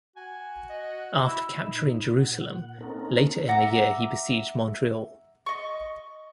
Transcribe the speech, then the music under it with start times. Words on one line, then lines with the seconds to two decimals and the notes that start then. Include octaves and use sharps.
After capturing Jerusalem, later in the year he besieged Montreal.
0.16 F#4 G#5
0.70 D#5
1.26 E4 E6
1.62 A#2 D#4
2.17 A#2 F#5
2.81 A#3 C4 C#4 D#4 A4 A#4
3.48 E5 F#5 A#5 D6
5.46 D#5 C#6